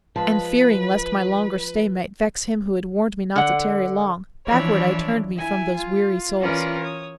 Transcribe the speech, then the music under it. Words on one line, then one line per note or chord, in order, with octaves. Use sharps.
And fearing lest my longer stay might vex Him who had warned me not to tarry long, Backward I turned me from those weary souls.
F3 G#3 B4 A5
D3 F#5
E3 F3 D4 E4 C#5 D5
E4 G#5
F4
E3 C#4 F4 A#4 B4 D5
C#5 D#6